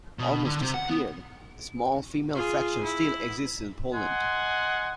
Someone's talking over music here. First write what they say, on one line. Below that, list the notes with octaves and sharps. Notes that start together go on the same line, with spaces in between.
Almost disappeared, a small female fraction still exists in Poland.
B2
D3
C3
F#5
B3
F4 G#4
E4
D#5 F#5 G#5 C6